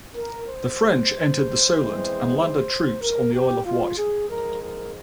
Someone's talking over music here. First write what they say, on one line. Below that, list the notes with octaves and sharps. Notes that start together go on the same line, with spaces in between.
The French entered the Solent and landed troops on the Isle of Wight.
A#4
C5
E2 E3 G#3 C4
C5
A#4
G4
F4
G#4
G#2 F3 G#3 A#4
A#4